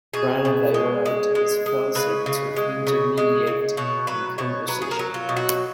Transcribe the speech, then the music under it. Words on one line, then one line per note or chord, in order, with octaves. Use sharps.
Granodiorite is felsic to intermediate in composition.
B2 G#4
B2
G#3
G#3
G#3
G#3
C#3 B4
C#3
G#3
C#3
G#3
C#3
B2 C#5
F#3 B4
B2 C#5
F#3 B4
G#4
A#4
F#3
F4
B2
F#4